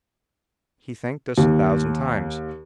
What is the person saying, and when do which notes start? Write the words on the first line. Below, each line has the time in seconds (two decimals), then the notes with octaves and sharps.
He thanked us a thousand times.
1.38 D#2